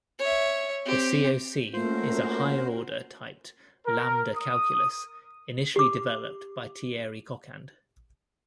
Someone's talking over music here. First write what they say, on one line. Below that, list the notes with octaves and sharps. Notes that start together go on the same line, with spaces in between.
The CoC is a higher-order typed lambda calculus, initially developed by Thierry Coquand.
C#5 E5
C4 G4
A3 A#3 C#4 F4 F#4 A#4 C5
A#4
D#6
G4 D6